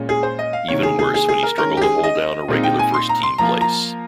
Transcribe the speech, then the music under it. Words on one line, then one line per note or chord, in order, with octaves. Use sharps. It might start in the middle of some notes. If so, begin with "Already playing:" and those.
Even worse when he struggled to hold down a regular first-team place.
Already playing: A#2 G#3 C#4
G#4
C5
D#5
F5
C3 D#3 A#3 C#5
G#4
G#4
G#4
G#4
A#4
D#3 G#3 C#4 A#4
G4
G#4
D#5
A#2 G#3 C4 D#4
G5
G#5
C6
A#5
C6
F3 A#3 F4 A#5
A#5